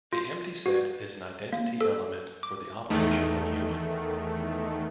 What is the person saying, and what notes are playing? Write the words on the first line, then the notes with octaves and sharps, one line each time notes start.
The empty set is an identity element for the operation of union.
F4
F#4
A#3
A4
D6
E2 D#3 A3